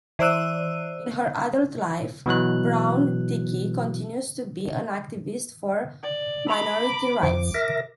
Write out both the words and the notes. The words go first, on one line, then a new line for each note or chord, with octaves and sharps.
In her adult life, Brown-Trickey continues to be an activist for minority rights.
E3 C5 D5 E6 F#6 D#7
B2 E3 F#3 F#6
D5
A#5 B5 D6
F2 F3 D6
A#4 E5 A#6